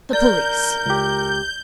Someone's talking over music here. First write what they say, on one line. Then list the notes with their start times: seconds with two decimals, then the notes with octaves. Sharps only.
The police.
0.13 A#4 D5 G6
0.86 C#2 G4